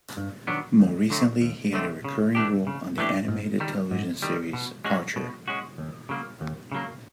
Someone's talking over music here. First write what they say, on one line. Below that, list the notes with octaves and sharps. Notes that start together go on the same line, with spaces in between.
More recently, he had a recurring role on the animated television series "Archer".
G2
D#3 F#3 B3 D4
D#2
D3 F#3 A3 C4
D#2
D3 F#3 A3 C4
C#3
E3 A3 D4 G4
C#3
E3 A3 D4 G4
G#2
D#3 G3
G#2
D#3 G3
B2
G#3 C#4 F#4
B2
G#3 C#4 F#4
D#2
C#3 F#3 A#3
D#2
C#3 F#3 A#3